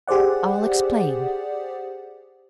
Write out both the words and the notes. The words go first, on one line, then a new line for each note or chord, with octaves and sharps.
I'll explain.
G4 G#4 C5 D5 F#5